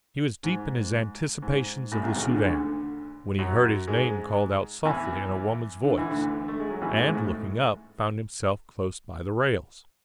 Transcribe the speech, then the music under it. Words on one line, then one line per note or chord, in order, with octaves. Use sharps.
He was deep in his anticipations of the Soudan, when he heard his name called out softly in a woman's voice, and, looking up, found himself close by the rails.
G#2
G#2
A1 A2
B1 B2
C#2 C#3
D3
C#3
D2 D3
F#2 F#3
G#2 G#3
E2 E3
D3
E3
D2 D3
A3
G#3
F#3
E2 E3
G#2 G#3
A2 A3